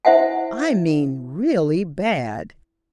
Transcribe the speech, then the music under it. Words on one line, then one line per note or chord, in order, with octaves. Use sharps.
I mean really bad.
E4 C5 E5 F#5 G#5